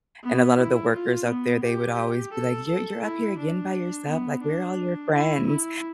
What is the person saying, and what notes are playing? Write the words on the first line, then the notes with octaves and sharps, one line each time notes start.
and a lotta the workers out there, they would always be like, "You're you're up here again by yourself?" Like, "Where are all your friends?"
B3
E4
F4
B3
G4
A4
A4
E4
D4
B3
D4
E4
E4